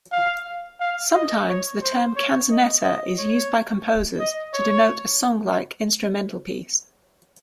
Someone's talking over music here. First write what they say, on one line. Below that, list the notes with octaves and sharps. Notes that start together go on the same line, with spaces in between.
Sometimes the term canzonetta is used by composers to denote a songlike instrumental piece.
F5
F5
D#5
C#5
C5
C#5
D#5
D#5
C#5
D#5
C#5